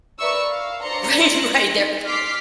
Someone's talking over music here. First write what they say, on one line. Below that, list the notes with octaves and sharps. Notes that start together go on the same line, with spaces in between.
Right, right. Their
A#4 B4 D5 E5 C#6 E6
F5
D4 C5 D5 A#5 C6 C#7
C6 F#6 A#6
D#4
C6 D6 F6 B6 C7 D7